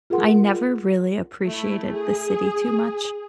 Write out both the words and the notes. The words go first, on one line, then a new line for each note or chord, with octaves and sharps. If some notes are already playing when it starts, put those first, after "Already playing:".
I never really appreciated the city too much,
F4 G#4 A#4 F#5 C6
A3 E4
G#4